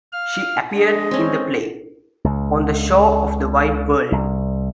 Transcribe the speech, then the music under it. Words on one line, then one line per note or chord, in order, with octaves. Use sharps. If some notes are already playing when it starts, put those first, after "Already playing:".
She appeared in the play, "On the Shore of the Wide World".
F5 F6
G#3 D4 D#5
C4 C#4
C#2
C2